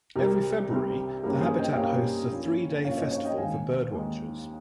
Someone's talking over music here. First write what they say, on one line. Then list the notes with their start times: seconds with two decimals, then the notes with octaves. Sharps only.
Every February, the habitat hosts a three-day festival for birdwatchers.
0.15 C2 C3 G3 C4 G4 A#4
0.69 C2 C3 G3 C4
1.23 G2 G3 A#3 C#4 G4 A#4
1.41 G#4 C5
1.59 D#5 G5
1.71 G5
1.77 G2 G3 A#3 C#4 C#5 F5
2.30 G2 F3 A#3 C#4
2.84 G2 F3 A#3 C#4 C#5 F5
2.98 C5 D#5
3.11 C#5 F5
3.25 D#5 G5
3.38 D#2 D#3 G#3 F5 G#5
3.92 D#2 D#3 G#3